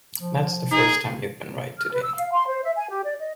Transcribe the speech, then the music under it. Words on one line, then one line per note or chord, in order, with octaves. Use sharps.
That's the first time you've been right today.
F3
D#4 G#4
F6
B4
E6
F5
C6
C5
E5
G#5
G4
D5
D#5